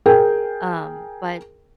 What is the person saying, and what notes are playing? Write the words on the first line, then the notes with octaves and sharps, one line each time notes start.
Um, but
G#4 A#4 G5